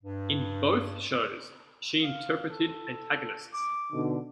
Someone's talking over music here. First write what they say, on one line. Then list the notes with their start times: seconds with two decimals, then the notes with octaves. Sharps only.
In both shows she interpreted antagonists.
0.04 G2
2.03 F5
2.49 A4
3.53 D6
3.92 B2 D3 D#4